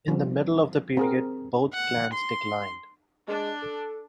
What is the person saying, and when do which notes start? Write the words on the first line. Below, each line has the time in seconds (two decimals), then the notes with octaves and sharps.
In the middle of the period, both clans declined.
0.08 F3 G3 C4
0.97 C4 G#4 A#4
1.73 F#5
2.13 C6
3.28 G#3 D4
3.62 A4